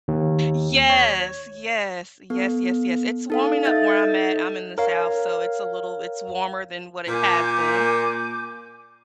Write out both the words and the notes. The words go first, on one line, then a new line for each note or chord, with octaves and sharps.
Yes. Yes. Yes, yes, yes. It's warming up where I'm at. I'm in the South, so it's a little it's warmer than what it has been.
D#2
C#5
B3 A4
D#4 A4 F5
D#4 A4 D#5 E5 G6 A6
A#4 C#5 F5
A#2 G#5 D6 G6